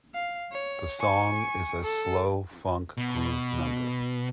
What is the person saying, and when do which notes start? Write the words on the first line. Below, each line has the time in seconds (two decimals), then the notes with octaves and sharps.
The song is a slow funk groove number.
0.14 F5
0.52 C#5
1.00 G#5 C#6
1.82 A4
2.98 B2